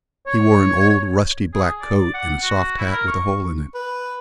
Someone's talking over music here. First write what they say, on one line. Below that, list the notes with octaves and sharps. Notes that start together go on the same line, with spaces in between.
He wore an old rusty black coat and a soft hat with a hole in it.
C#5
G#4
D5
F#5
F#4
E4
A#4
C#6
B4